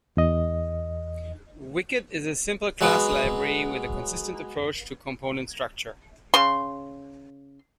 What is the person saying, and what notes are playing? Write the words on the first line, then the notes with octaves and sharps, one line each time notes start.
Wicket is a simple class library with a consistent approach to component structure.
E2 D#5
F#3 G#3 B3 F#4
C#3 C6